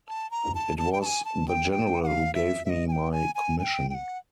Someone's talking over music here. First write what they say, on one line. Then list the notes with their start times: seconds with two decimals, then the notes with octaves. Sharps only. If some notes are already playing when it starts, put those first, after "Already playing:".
It was the General who gave me my commission.
0.08 A5
0.31 A#5
0.55 A5
0.78 A5
0.93 G5
1.01 A5
1.06 G#5
1.25 A5
1.48 G5
1.72 G5
2.03 F#5
2.07 F5
2.35 E5
2.65 E5
2.70 D#5
2.88 G#5
2.92 G5
3.12 G#5
3.35 G#5
3.59 G#5
3.63 G5
3.90 G5
3.94 F#5